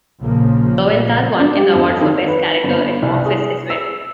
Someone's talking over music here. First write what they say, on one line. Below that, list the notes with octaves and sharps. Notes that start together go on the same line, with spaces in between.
Lowenthal won an award for best character at MockFest as well.
A#1 C#3 F3 A#3
D4
G4
F2
D#3
B4
G1
C2
G#4
E6